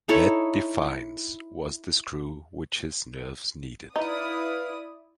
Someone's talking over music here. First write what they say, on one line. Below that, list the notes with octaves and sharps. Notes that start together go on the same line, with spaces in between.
That defiance was the screw which his nerves needed.
D#4 E4 A4 C#5
D#4 E4 B4 D5 F5 D#6